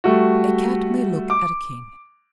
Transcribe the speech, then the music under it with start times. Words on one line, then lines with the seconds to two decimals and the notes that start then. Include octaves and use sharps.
"A Cat may look at a king."
0.04 G3 A3 F#4
1.30 D6